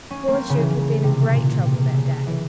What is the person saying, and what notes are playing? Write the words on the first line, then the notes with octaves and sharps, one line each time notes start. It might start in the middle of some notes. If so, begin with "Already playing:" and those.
Poor Jupe had been in great trouble that day.
C#4
A#3
C4
C#3
E3
C3
A#2
C3
C#3
E3